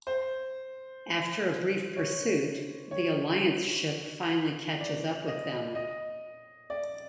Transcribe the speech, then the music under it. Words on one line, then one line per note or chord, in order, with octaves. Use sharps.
After a brief pursuit, the Alliance ship finally catches up with them.
C5
C#5
C#5
D5
D#5
D#5
D5